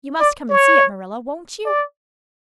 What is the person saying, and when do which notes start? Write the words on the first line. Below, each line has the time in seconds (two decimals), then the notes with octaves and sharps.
You must come and see it, Marilla--won't you?
0.20 D5
0.50 C#5
1.65 D5